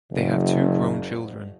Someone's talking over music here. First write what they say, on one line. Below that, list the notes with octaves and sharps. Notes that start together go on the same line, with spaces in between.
They have two grown children.
F#1